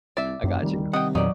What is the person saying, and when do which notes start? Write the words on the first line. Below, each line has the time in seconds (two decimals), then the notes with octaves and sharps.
I gotchu."
0.17 C2 D5 E5
0.44 F1 F#2
0.63 D#3 G3
0.93 C3 D#5 F#5 G5
1.15 E2 A#2 D#3 F#3 D#4 D5